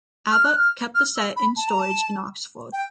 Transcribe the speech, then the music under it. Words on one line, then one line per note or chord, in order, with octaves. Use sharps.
Abbott kept the set in storage in Oxford.
F6
F#6
F6
F6
E6
B5
A5
A#5
A5
G5